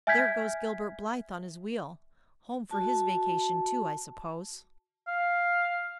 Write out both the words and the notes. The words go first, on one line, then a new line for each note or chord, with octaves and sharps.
There goes Gilbert Blythe on his wheel . . . home for his vacation too, I suppose.
E5 G#5 F6 G6 G#6 B6
F#4 A5
F5